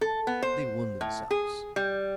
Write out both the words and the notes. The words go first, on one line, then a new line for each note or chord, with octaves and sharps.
They wound themselves.
A4
B3
C5
A2
G#4
G3